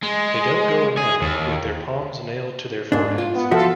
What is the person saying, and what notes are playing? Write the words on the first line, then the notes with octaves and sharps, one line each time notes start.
They don't go around with their palms nailed to their foreheads.
G#3
G#4
D#2
G#2 D4
F4
B3
F3 F4 F#4 A4 E5 F5